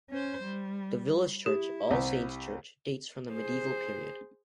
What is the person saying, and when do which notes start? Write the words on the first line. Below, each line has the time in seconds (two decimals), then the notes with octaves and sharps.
The village church, "All Saints' Church", dates from the medieval period.
0.10 C#4 C5
0.44 G3
1.46 E4 G4
1.90 C2
3.33 G#4 C5